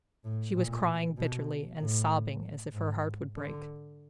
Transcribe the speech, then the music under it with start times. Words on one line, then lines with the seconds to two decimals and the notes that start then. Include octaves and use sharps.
She was crying bitterly, and sobbing as if her heart would break.
0.24 A2
0.55 A#2
1.17 B2
1.81 A2
2.74 G#2
3.36 D3